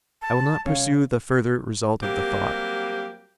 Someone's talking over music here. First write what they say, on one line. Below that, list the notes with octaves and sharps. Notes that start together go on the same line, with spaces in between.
I will not pursue the further result of the thought.
A5
C2 C#4 C#5 F5
F#3 G3 A#3 C4 G4